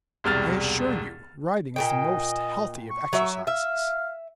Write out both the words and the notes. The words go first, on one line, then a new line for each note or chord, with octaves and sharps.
"I assure you, riding is the most healthy of exercises."
E1 C2 F6 A6
A#2 C#3 D#5 G5
C#6
F#3 E5
E5 F5